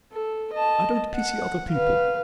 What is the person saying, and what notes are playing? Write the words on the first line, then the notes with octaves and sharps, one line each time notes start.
I don't pity other people.
A4
D#5 A5
F#5
B4 F5